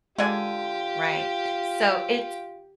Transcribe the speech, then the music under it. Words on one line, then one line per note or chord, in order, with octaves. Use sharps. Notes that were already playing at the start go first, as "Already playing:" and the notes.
Right. So it's
D3 G#3 F4 G4 D5 G#5